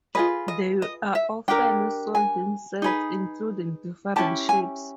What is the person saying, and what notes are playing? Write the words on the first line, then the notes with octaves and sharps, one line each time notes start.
They are often sold in sets, including different shapes.
F4 G#4 B4 D#5
D#5
D#5
E5
D4 G4 A#4 G5
G#5
D#4 G#4 B4
C#4 E4 G4 A5
G#5